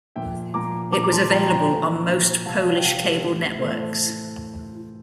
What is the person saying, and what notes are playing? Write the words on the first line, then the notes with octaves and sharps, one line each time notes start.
It was available on most Polish cable networks.
A#2 F3 E5 G5
A#2 F3 A#5 D6
A#2 F3 A#5 D6
D6
A5 C6
A#2 F3 G5 A#5
G5 A#5
A#2 F3
A#2 F3
C3 F3 F5 A5
F5
G5
C3 F3 F5 A5
G4 A#4
A2 E3
A2 E3 A4 C5